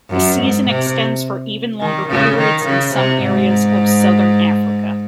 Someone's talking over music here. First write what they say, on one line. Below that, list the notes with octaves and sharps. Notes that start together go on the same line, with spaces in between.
The season extends for even longer periods in some areas of southern Africa.
F#2
G#2
C3
D#3
C#3
D#3
C#3
C3
G#2